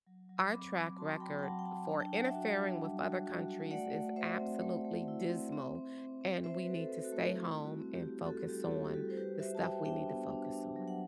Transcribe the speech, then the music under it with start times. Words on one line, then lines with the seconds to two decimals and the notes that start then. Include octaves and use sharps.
our track record for interfering with other countries is absolutely dismal, and we need to stay home, and focus on the stuff we need to focus on.
0.07 F#3
0.29 F#3
0.52 C4 B5 D6
0.76 F#3
0.98 F#4 A5 C6
1.20 F#3 G5 B5
1.39 G5
1.43 F#3 F#5 A5
1.59 G5
1.66 F#3 F#5 A5
1.89 D4 A5
2.00 G5
2.12 D4 F#5
2.25 E5 G5
2.35 F#4
2.57 D4
2.80 G3
3.02 F#4
3.26 F#4
3.48 F#4
3.71 A3 D5 F#5
3.94 A3
4.16 A3 C5 E5
4.39 C4
4.62 A3
4.85 A3
5.08 E4
5.30 C4
5.52 C4
5.75 C4
5.98 C4
6.21 C4
6.44 C4 C5 E5
6.63 F#4 B4
6.75 A4 C5
6.89 C4
7.05 F#4 A4
7.12 A3
7.35 E4
7.58 G3
7.65 F#4
7.80 C4
7.95 G4
8.03 E4
8.25 C4 F#4 A4
8.49 G3 G4
8.63 A4
8.71 E4 G4
8.85 G4
8.94 G3 F#4 A4
9.10 C5
9.17 F#4 G4 B4
9.39 F#4 C5 E5
9.55 A5
9.62 F#4 E5 G5
9.85 D4 E5 G5
10.08 B3
10.31 D4
10.53 D4
10.76 F#3
10.88 F#5